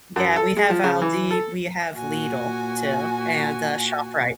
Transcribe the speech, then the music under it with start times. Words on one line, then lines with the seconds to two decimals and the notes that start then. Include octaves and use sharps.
Yeah, we have Aldi, we have Lidl too, and uh, ShopRite.
0.16 F#2
0.36 A4
0.57 G#3
0.70 F3
0.84 C#3
1.02 E3
1.31 A4
1.96 A#2 F#4 G#5